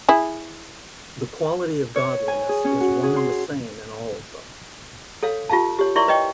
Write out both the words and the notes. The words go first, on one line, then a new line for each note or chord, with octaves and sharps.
The quality of godliness is one and the same in all of them.
E4 G#4
C#5
G#5
G#4
C#4
F#4
G#4
C6
A4 C#5 F5
F4 G4 F5 A5
G4 C#5
E4 A#4 D5 E5 C6 C#6
B4 C#5 D#5 G5 C#6